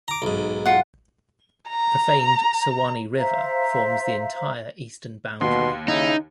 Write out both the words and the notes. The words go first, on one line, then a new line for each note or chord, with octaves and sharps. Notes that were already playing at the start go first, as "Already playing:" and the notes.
The famed Suwannee River forms the entire eastern boundary.
A#5 D6
B1 G#2
F4 F#5
A#5
C5 E5 F5 A#5
D#2 B2 C6
C#3 D#4 E4